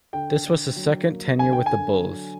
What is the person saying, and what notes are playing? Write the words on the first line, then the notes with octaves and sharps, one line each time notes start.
This was his second tenure with the Bulls.
D3 G5
D3
F#3
A#3
D3 G#5
G5
D3 G#5
F#3